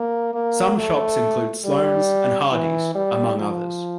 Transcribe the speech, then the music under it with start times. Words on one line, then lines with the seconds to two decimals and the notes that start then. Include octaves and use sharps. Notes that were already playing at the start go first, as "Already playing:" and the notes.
Some shops include Sloan's and Hardees, among others.
Already playing: A#3
0.34 A#3
0.78 A3
1.65 G3
2.52 E3
2.95 G3
3.39 F3